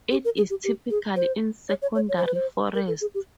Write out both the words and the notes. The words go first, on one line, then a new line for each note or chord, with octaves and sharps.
It is typical in secondary forests.
G4
A#4
G#4
G4
G4
G#4
C5
C#5
C#5
C#5
C#5
C5
B4
C5
A#4
A4
G#4
G4